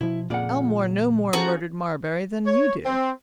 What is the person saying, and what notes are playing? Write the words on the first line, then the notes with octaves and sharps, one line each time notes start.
"Aylmore no more murdered Marbury than you did!"
B2 F3 E4
F2 A#2 C#3 A#3 F4 D5 F#5
C#4 F4 F#4 G#4 A4 C5 A#5
C#5
C4